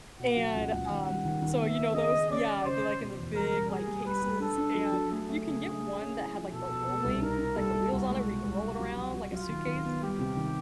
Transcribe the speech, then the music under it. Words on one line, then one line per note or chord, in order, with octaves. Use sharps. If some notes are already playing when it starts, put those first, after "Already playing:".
and, um so you know those? Yeah, they're, like, in the big, like, cases and you can get one that had, like, the rolling like the wheels on it where you could roll it around like a suitcase?
B2 F#5
F#3
C#2
C#2
D#3
G3
D#3
D#3
B3 E5
B3
G#4 D#5
G#4
C#4 D5
C#4
C#3 C5
C#3
B2
E2
G3 A#4
G3
G3 G#4
G3
G3 B4
G3
D4 A4
D4
F#3
F#3
A3 G#4
A3
C#3
D4
A3
C#4
E4
F3
B2 A4
B2
B3
C2
D#4 A#4
D#4
G3 A4
G3
C2 F#4
G#3
B2
C2
G4
F#3
F#3
F#3
F#3 F4
D#3
D#3
B3
G3 G4
C3
D#3